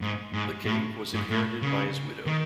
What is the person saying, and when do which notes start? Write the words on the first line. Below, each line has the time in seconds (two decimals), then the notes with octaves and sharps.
The cave was inherited by his widow.
0.01 G#2
0.33 G#2
0.65 A2
1.14 G#2
1.30 A2
1.62 C#3
2.26 D#3